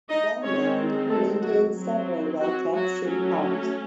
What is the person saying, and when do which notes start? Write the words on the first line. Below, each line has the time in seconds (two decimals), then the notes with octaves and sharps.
Belmond maintains several well-kept city parks.
0.09 D#4 D#5
0.42 D#3 G#3 C4 C#4 C#5
1.08 A3 A4
1.42 F#3 F#4
1.75 F#3 C4
2.41 F#3 F#4
2.74 F#3 F#4
3.08 F#3 A3 C#4